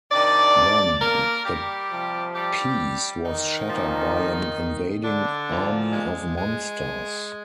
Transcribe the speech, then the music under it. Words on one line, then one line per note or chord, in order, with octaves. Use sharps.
Then, the peace was shattered by an invading army of monsters.
C3 D#3 D4 D5
A#3 A#4
G3 G4
C3 F3
G3 G4
D#3 D#4
A#2 F3
D3 D4
A#2 F3
G#3
G#3